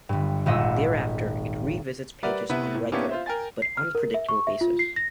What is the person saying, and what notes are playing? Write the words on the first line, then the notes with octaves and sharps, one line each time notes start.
Thereafter it revisits pages on a regular, but unpredictable basis.
G1 G2
D#1 G#1 D#5 F#5 E6
G3 A#4 B4 D5 E5 F#5
C3 B3 E4 B4
A2
A#3 B3 C#4 D4 E4 G4
F4 C5 E5
A#4 G5 G#5 A6
C7
F6
A#4
E5
C#6
E5
F4
C7
A#6